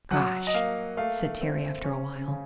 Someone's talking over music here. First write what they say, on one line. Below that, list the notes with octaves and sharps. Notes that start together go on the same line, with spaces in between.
"Gosh!" said Terry, after a while.
F#3 F#5
D#5
A#3 F5
A3 F5
C4
C#4
C#3